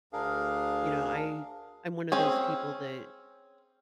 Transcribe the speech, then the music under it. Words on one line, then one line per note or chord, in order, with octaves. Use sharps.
you know, I I'm one of those people that
D2 D4 G#4 A#4 F5
C4 C#4 G#4